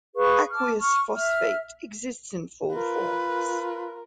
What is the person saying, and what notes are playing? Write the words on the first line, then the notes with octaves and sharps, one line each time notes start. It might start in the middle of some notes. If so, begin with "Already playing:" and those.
Aqueous phosphate exists in four forms.
G#4 B4 F5 C#6
A5 D6 F6
C#6 F6
E5 F6
F4 A#4 B4
A#4